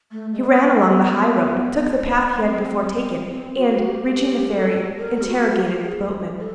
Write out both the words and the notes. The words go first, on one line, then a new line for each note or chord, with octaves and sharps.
He ran along the high road, took the path he had before taken, and reaching the ferry, interrogated the boatman.
A3
G#3
B3
C4
C4
F#4
G4
G4
A4
A#4
G4
F#4
G4
G#4
A4